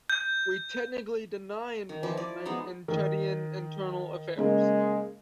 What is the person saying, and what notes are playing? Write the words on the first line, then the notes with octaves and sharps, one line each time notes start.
We technically deny involvement in Chadian internal affairs.
G6
D#3
F3 E4 D5
D5
G#3 B3 D#4
D#3
C#3 G#3 A#3